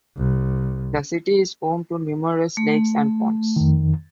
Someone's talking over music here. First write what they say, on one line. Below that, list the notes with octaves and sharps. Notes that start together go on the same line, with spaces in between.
The city is home to numerous lakes and ponds.
C2
A3
F2 D#3